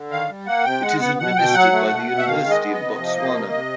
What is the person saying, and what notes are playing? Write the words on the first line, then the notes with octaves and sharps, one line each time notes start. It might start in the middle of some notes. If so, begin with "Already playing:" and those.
It is administered by the University of Botswana.
Already playing: D3
D#3 F5
G3
A#3 F#5
C3 G5
G#3 F#5
B3 F#5
B2 F#5
B2 G5
F#3 F#5
A3
B2
B2
E5
D#3 F5
G#3
D#5
B3
D#5
C3
F3
A#3
C3
C3